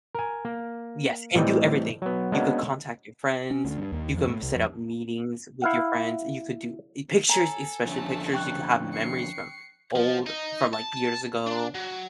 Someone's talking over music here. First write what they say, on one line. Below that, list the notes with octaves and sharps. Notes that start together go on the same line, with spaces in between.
Yes, and do everything. You could contact your friends, you come set up meetings with your friends, you could do i pictures, especially pictures, you could have memories from old from like, years ago,
A#4 G#5
A#3
A2 E3 G3 C4 D#5
F#3 B3
G#3 A#3 B3 C#4 D4 F#4
C#4
D2
G2
D#2
F2
A2
C2
F2
E4 F5 F#5
A4 C#5 G#5 A#5
F2 D3 A3 C#4 A5
G5 C#6 F#6
C7 C#7
F3
D#4
A5
D4
F#3